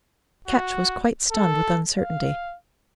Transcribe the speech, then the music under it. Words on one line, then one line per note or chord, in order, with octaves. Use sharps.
Ketch was quite stunned with uncertainty.
F#4
A4
F5